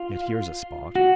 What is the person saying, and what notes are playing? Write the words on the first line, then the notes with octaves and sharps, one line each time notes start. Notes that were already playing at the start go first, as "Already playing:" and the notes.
Yet here's a spot.
Already playing: F4
F#4